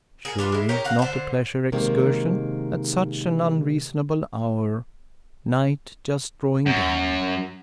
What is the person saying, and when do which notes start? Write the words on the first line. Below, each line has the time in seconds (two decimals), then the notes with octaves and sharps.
Surely, not a pleasure excursion, at such an unreasonable hour--night just drawing down?
0.25 G#4 A#4
0.38 G3 D4 F4
0.52 G#3 E4
0.69 D#4 G4 A#4 C#5
0.84 F5 F#5 A#5
0.99 D3 C5
1.72 C3 D#3 G#3 A#3
6.66 F#2